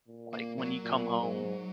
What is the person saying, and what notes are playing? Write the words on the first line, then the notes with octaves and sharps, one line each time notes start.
like, when you come home,
A#2
A#3
F#3
A#2
G#2